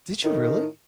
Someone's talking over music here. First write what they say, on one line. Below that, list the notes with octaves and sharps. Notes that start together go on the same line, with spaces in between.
Did you really?
A2 D#3